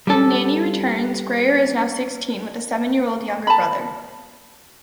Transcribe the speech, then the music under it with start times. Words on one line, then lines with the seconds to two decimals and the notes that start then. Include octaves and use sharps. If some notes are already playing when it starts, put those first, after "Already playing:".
In "Nanny Returns", Grayer is now sixteen with a seven-year-old younger brother.
0.07 G3 A4
3.47 A5 B5